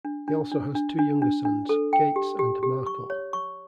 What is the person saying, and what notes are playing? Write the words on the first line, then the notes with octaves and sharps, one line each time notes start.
He also has two younger sons, Gates and Marco.
D4
D4
D4
D4
D4
D4
D4
A4
G5
G4
G4
G4
C#6
C#5
C#6